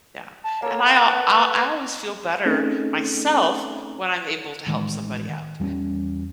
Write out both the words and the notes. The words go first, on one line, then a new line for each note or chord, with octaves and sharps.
Yeah, and I I I always feel better myself when I'm able to help somebody out.
A5
A#3 A4 C#5
F5
B4 F#5 A5
A3 C4 C#4 D#4 G#4 A4
A1 D#3 G#3
E2 G3 A3 C#4